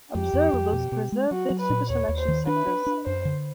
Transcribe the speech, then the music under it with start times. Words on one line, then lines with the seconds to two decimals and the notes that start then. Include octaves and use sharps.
Observables preserve the superselection sectors.
0.15 F2 G4
0.33 F2
0.53 F2
0.73 B2
0.92 B2
1.12 G#3
1.31 F#3 F#4
1.50 F#3
1.60 B4
1.70 A#2
1.90 D#2 C#5
2.09 D#2
2.18 C5
2.28 D#3
2.47 D4 B4
2.67 D4
2.86 D4
3.06 F#2 C5
3.25 D3